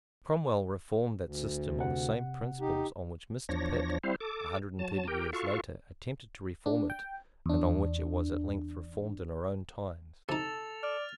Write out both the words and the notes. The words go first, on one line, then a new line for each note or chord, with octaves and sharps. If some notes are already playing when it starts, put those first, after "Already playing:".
Cromwell reformed that system on the same principles on which Mr. Pitt, a hundred and thirty years later, attempted to reform it, and on which it was at length reformed in our own times.
D2
C3 F#5
D#4 G4
E2 F3 D4 C#5 A#6
G3 C4 E4 C5 F5
A4 D6
F#3 A5
G4 A#4 G5
F4 F#4 A4 F5 C#6
D4
G5
E2 D4
C3 D#4 A4 A6 F7
D5 F6